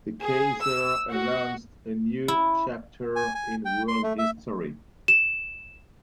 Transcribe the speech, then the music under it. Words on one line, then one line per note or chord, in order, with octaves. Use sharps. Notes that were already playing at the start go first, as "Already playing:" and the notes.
The Kaiser announced a new chapter in world history.
G#4
E6
F#4
E4
G#5
G#5
G5
C6
A3
E5
E7